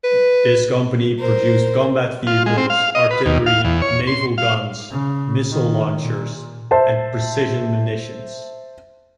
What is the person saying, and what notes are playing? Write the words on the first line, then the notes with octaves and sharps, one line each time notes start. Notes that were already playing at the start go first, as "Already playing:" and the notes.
This company produced combat vehicles, artillery, naval guns, missile launchers and precision munitions.
B4
A#4 C5
F4
G#3
C4
F5
D#5
B4
D#2
F5
E2
C#5
C6
F5
C#3
D#3
A#2
C5 E5 A5